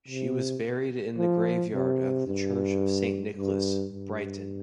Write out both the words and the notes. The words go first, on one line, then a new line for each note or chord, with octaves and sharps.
She was buried in the graveyard of the Church of Saint Nicholas, Brighton.
C3
F3
C3
G2
G2
G2